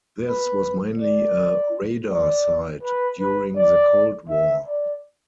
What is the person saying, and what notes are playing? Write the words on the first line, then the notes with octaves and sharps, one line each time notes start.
This was mainly a radar site during the Cold War.
B4
D5
D5
B4
B4
D5
E5
D5